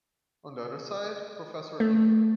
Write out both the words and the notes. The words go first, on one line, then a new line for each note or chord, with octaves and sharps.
On the other side, Professor Dingo.
A3